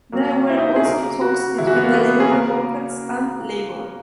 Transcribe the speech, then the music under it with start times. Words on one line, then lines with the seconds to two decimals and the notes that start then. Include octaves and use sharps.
There were also talks between the Liberal Democrats and Labour.
0.12 C#3 F#3 A#3
0.49 E4
0.58 D#4
0.67 E4
0.76 G#4
0.85 C#3 F#3 A#3 A#4
1.21 F#4
1.58 C#3 E3 G#3 E4
1.67 F#4
1.76 B3
1.84 A#3
1.94 B3
2.20 G#4
2.31 C#3 F#3 A#3 A#4